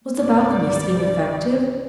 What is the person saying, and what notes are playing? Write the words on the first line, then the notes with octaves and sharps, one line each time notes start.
Was the balcony scheme effective?
C2 G2 G3 D5